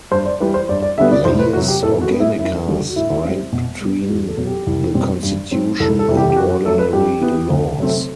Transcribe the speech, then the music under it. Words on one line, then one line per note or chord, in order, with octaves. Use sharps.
Leyes Organicas rank between the Constitution and ordinary laws.
G2 C5
D5
E3 G3 B4
C5
G2 D5
D5
D3 G3 B3 E5
D5
C2 C5
B4
C3 F#3 F#4
G4
A2 A4
F#4
G3 B3
E4
F#2 E4
D3 G3 F#4
F#4
A2 E4
G3 C4
B2
G3 B3
E2 F#4
A4
B2 F#3 B3
G4
C2
B2 G3 C4
G2
F#3 C4
C2 A4
A4
C3 E3 G3
G4
G4
F#2 F#4
F#4
F#3 A3 A4
B4
G2 G4
E3 B3
D2
C3 F#3 A3 C4